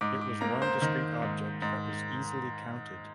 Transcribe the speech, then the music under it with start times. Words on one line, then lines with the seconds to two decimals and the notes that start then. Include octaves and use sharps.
It was one discrete object that was easily counted.
0.01 G#2 D6
0.21 D6
0.41 A#3 A#5
0.62 C5
0.82 D#3
1.22 G#2
1.62 G#2